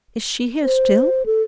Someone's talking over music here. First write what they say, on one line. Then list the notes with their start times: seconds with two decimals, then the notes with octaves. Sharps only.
Is she here still?
0.64 C5
1.26 A4